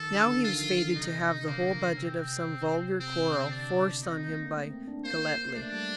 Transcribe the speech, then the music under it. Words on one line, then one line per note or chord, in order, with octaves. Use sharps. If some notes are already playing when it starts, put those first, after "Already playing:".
Now he was fated to have the whole budget of some vulgar quarrel forced on him by Galletly.
Already playing: D#3 A4
D3
D3
D#3 F4
F3
D3
C3 D#4
D3 A#3
C3 C4
C3
C3 C4
C3
D3
D4
C4 D#4
A#3
A3
C4
D4
A#3 C5
A3 D4
G3